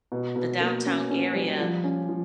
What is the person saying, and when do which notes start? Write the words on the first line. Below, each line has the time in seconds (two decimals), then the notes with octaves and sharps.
The downtown area
0.12 B2
0.36 B2
0.61 A#3
0.86 C#4
1.10 C#4
1.35 G3
1.60 F3
1.84 C#4
2.09 F3